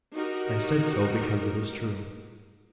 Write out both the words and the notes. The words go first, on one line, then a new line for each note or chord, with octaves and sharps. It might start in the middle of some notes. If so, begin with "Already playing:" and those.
"I said so, because it is true."
D#4 F#4 G4 A#4